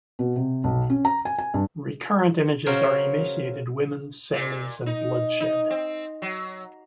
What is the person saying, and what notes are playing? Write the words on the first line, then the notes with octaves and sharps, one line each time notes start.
Recurrent images are emaciated women, sailors and bloodshed.
B2
C3
B1
C#4
A#5
G#5
G#5
G2
C#3 F#3 C#4 A#4 C5
A#2
D#4
D#4
C4
F#3